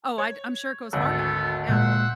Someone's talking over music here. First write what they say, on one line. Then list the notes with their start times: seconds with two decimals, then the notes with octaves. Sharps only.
Oh, I'd I'm sure it goes far back. Yeah.
0.18 C#5
0.93 G#1 D2 B3 A4
1.69 A#2 G#3 C5 E5 F#5